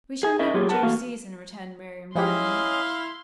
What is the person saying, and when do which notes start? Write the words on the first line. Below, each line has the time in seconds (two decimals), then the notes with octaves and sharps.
"We shall know in due season," returned Miriam grimly.
0.23 G#4 G#5
0.39 C#4 D#4 A#4 D#5 E5
0.54 F#3 F4 G4 G#4 C#5
0.69 A#4 B4 F#5 A5
0.83 E2 A3 A#3 F#4 F5
2.15 F3 G#3 C#4 E4 G4 D#5 F5 C6